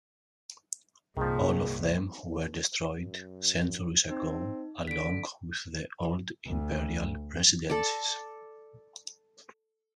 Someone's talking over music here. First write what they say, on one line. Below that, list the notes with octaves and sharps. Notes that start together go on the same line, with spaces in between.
All of them were destroyed centuries ago along with the old imperial residences.
C2 G2 A#2 D#3 F3 G#4
F#2
C4 D#4
D3 B6 D7
D2
A4 D5